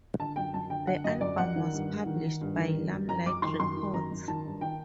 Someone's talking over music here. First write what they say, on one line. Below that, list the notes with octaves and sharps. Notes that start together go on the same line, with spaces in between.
The album was published by Limelight Records.
D3 A5
F#2 G5
F#2 A5
D3 G5
D3 F#5
F#2 D#5
F#2 D5
F#2 F#5
D#3
G2
G2
D#3
D#3
G2
D#3
G2
F#2
F#2 A#5
F#2 D6
D#3 C6
F#2 C6
D#3
F#2 A#5
F#2
D#3 A5
G2
D#3 G5